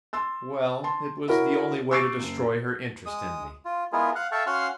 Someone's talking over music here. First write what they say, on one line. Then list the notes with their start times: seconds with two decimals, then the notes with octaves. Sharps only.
Well, it was the only way to destroy her interest in me.
0.13 C6 E6 A6
0.84 A5 C6
1.28 E4 F#4 A#4 C#5
1.91 C#6 D6 E6 A6 C7 D7
2.20 F#1
3.06 G#3 D#6
3.65 F4
3.93 G#3 B3 E4 F4 G#4 A#4
4.15 F5 F#5 F#6
4.32 A4 E5 F5 G5 A5 C#6
4.46 C#4 F#4 F5 F#5 C6 F6